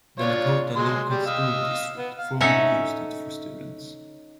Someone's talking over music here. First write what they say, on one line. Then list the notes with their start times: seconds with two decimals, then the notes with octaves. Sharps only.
The Lakota Local School District formerly used it for students.
0.19 D4 F4 C#5
0.76 F#3 G#3 C6
1.09 G3
1.26 D#5 F5 E6
1.97 B3
2.18 F5
2.40 C#4 D#4 A4 C#5 E5 F#5